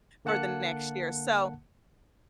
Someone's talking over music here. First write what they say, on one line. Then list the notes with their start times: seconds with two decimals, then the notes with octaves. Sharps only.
for the next year. So,
0.25 D3 A#3 F#5 A5 F#6 C#7